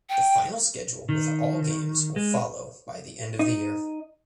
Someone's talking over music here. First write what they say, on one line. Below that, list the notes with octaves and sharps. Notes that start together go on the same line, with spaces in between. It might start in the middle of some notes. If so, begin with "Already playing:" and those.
The final schedule with all games will follow by the end of the year.
G5
D#3
G#3
D#4